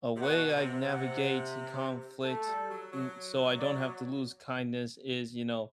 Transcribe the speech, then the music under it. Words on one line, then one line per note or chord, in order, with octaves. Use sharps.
A way I navigate e conflict n so I don't have to lose kindness is, you know,
C3
B2 F#5
B2
C3
C3 F#5
A3 A4
G3
F#3
F#3
D5